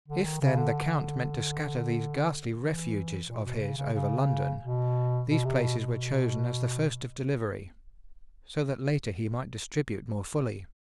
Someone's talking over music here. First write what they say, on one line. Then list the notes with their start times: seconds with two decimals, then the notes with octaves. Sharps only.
If then the Count meant to scatter these ghastly refuges of his over London, these places were chosen as the first of delivery, so that later he might distribute more fully.
0.08 D3
0.24 D#3
0.41 C#3
0.57 D3
2.60 E3
3.27 A#2
3.44 B2
3.60 C#3
3.77 C#3
3.94 C#3
4.62 B2
5.28 B2
5.45 C3
5.62 B2
5.79 B2